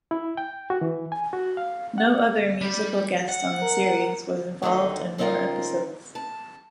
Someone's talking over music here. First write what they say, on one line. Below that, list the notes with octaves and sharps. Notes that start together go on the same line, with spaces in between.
No other musical guest on the series was involved in more episodes.
E4
G5
F#4
E3
G#5
F#4
F5
F#5
G3
F#5
A#4
D2 D3 D#3 D#4 G5
C#3 C4 D#4 F4 A#4 G5
A5